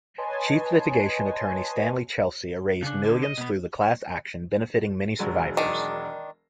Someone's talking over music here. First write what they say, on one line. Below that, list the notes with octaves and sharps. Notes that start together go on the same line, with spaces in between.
Chief litigation attorney Stanley Chesley raised millions through the class action, benefiting many survivors.
B4 C#5 D#5 G#5 A5 C6
C#3 D4
D2 D3
D#5
B2 B3
E1 F#3 G#3
D#3 D4